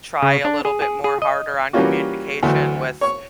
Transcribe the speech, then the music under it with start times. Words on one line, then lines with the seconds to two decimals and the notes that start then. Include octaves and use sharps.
try a little bit more harder on communication with
0.23 C#3
0.45 D4
0.65 G#4
0.82 G#4
1.04 G#4
1.22 D#5
1.73 E3 G3 A#3 C#4 F4 F#4
2.43 D2 E3 F#3 A3
3.01 C#5 C#6